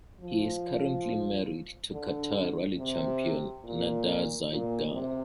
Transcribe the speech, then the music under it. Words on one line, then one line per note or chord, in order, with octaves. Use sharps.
He is currently married to Qatar rally champion Nada Zeidan.
F3
D3
C3
A#2
A#2
C3